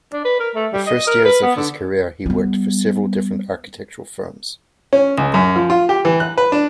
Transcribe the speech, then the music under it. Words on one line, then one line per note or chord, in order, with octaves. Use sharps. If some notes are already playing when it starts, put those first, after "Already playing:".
The first years of his career he worked for several different architectural firms.
D4
B4
A#4
A3
G3
D#5
A#4
B4
B3
D3
G3 B3
C#4
C#2
F#2
F3
F4
G4
E3
F#6
B4
D4